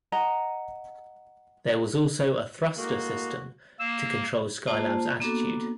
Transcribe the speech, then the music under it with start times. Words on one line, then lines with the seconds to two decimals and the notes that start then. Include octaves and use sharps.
There was also a thruster system to control Skylab's attitude.
0.12 D#5 F#5 G#5 A#5
2.77 A2 G#3 A#3 F#4
3.79 A#3 E6
4.67 A#3 F4 C5 A5
5.20 A#3 B3 D4 F#4 A4